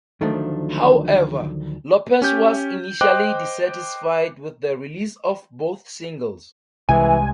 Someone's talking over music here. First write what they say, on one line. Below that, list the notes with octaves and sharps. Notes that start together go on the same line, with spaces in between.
However, Lopez was initially dissatisfied with the release of both singles.
D2 D#3 F3 F#3 A3 D4
C#4 G4 G6
C5 D#5 G5 D6 F#6
C2 C3 E3 G#3 G#5